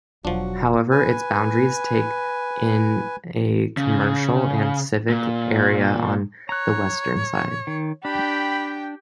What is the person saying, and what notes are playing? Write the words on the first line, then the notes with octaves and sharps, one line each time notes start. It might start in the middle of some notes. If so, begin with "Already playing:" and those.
However, its boundaries take in a commercial and civic area on the western side.
E1 F3 F#3 D4 F#4
B4 G#5
C#3
A#2
C#5 A#5 F#6
D#3
D4 G4 G5 B5